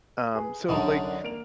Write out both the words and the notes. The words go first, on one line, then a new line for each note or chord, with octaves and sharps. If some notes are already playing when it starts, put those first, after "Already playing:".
um, so, like,
G#4 B4
C2 F#2 D3 D#3 A#4
D4
A#3 D7 F7